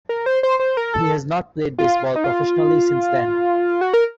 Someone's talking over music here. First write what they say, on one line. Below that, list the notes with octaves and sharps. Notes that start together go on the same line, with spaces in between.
He has not played baseball professionally since then.
A#4
C5
C5
C5
A#4
A4
F4
D#4
F4
F#4
A#4